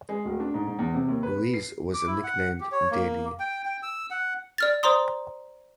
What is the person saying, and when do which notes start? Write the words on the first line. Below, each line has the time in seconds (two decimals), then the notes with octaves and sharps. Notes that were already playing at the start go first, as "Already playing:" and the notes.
Ruiz was nicknamed Deli.
0.09 G#3
0.25 D1
0.40 D4
0.54 G#2
0.67 G#2
0.79 E2
0.94 C3
1.08 D#2
1.23 B4
1.35 B3
1.54 C7
1.94 D6
2.07 E4
2.24 F#5
2.60 G4
2.72 C#5
2.91 A#3
3.39 G5
3.65 G5
3.83 E6
4.11 F#5
4.58 D5 F6 A6
4.83 C5 D5 A#5 C6 D#6